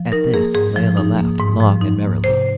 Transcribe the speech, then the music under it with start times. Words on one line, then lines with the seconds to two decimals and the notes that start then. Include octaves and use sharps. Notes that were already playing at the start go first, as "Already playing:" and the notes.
At this Layelah laughed long and merrily.
Already playing: F3
0.12 D#4 A#4
0.34 A#3 G#4
0.55 G#2 G#4
0.76 F3
0.97 D#4
1.18 A#3
1.39 G#2
1.61 F3
1.81 D#4
2.02 A#3
2.24 C3 C5